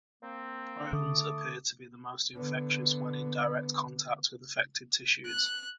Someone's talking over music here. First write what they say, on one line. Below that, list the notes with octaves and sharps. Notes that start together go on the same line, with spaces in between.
Prions appear to be most infectious when in direct contact with affected tissues.
A#3 C4
D3 A3 D6 D#6
D3 B3
F#6